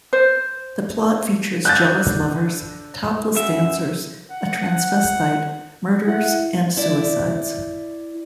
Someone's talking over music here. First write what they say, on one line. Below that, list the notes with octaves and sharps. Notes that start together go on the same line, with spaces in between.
The plot features jealous lovers, topless dancers, a transvestite, murders and suicides.
C5
D3 F#6 G6 A6
F#2 E5
F#5
E4 E5 F#5
E4 D5